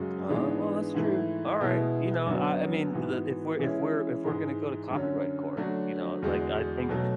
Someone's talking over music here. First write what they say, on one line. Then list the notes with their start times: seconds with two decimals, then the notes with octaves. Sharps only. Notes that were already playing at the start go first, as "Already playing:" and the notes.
Uh, well, that's true. Alright. You know, I I mean, the if we're if we're if we're gonna go to copyright court, you know, like, I think
Already playing: F#2 C#3 G#3 F#4
0.29 G#2 E3 G#3 B3 D4
0.94 G#2 E3 A3 E4
1.61 B2 G#3 B3 E4
2.26 F#2 D3 F#3 B3 F#4
2.93 G#2 E3 B3 F#4
3.59 E3 G#3 C#4 E4
4.25 G#2 E3 G#3
4.90 F#2 D3 F#3 C#4
5.57 D3 F#3 A3 D4 F#4
6.22 E2 D3 G#3 D4 F#4
6.89 B2 F#3 A3